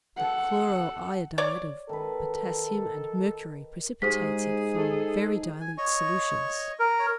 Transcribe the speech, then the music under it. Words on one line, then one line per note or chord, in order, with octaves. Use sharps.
The chloro-iodide of potassium and mercury precipitates it from very dilute solutions.
A4 F#5
C#5 D5
D#3 A4 B4
G#2 G4 G#4 C5 B6
A4
G#5
C#5 D#5 C#6
A#4
C#5